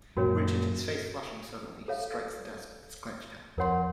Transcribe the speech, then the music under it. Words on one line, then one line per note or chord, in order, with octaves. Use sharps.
Richard, his face flushing suddenly, strikes the desk with his clenched hand.
F#2 A#2 C#4 F#4 A#4 C#5
A4 C#5 F5
F2 A#4 C#5 F#5 C6